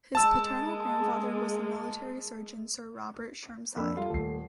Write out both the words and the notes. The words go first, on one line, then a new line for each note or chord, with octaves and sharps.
His paternal grandfather was the military surgeon Sir Robert Chermside.
G#3 A#3 A5 E6 E7
F2 A#3 D4 B5 E6
G3 F4 A4
D#1 A3 A4 C7